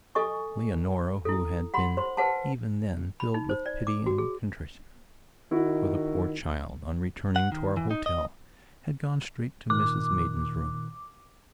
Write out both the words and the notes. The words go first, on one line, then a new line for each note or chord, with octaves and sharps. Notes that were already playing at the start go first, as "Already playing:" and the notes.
Leonora, who had been even then filled with pity and contrition for the poor child, on returning to our hotel had gone straight to Mrs Maidan's room.
A4 D#5 G#5 C#6
E4 A4
F#5 B5 C6
C5 C6
B4 C5 F#5 A5
B5
D#4
C5
D5
D6
F#4
G#4
D#3 E4 F#4
F#5
D#3
E3
D#4
D#5
A#2 D#3 D6 F#6